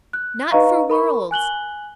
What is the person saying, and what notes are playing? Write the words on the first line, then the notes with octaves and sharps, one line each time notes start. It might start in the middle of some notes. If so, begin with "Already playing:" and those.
'Not for worlds!
F#6
D#4 B4 D#5 F5 A#5 C#6
A#4 B5 C#6
G#5 F#6 F#7 G7